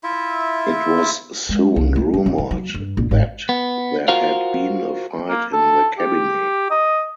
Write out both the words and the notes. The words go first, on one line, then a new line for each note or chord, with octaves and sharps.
It was soon rumored that there had been a fight in the cabinet.
E4 F4 E5
G#3
C2
A3
G3
F#2
D#3
F#3
G2
A#1
G#1
B3
F4 F#4 A#4 C5 F5
A#3
A4
G4
D#5